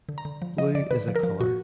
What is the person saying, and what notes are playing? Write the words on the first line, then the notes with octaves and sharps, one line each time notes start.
Blue is a colour.
D3
A#5
D3
F3
F3 D#5
D3 D5
D3 B4
F3
A#4
F3
A#2 F#4